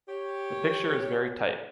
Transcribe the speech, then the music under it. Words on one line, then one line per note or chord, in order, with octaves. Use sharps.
The picture is very tight.
G4 C#5